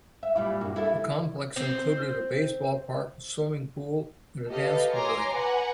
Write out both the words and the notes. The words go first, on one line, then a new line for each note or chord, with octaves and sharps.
The complex included a basepall park, a swimming pool and a dance pavilion.
E5
A#2 G3 E4
G2 A#3 F#4
E4 A4 E5
C4 C5
G4 A4 B4 D#5 F5
C#5 G#5 A#5 C6 D6
B4 F#5 G#5 A#5